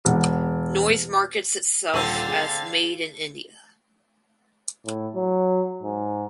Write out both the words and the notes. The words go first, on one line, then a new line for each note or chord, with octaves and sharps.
Noise markets itself as "Made in India".
E1 F#5
D#1 D3 C4 F5 E6 A6 D#7
G#4
A2
F#3
G#2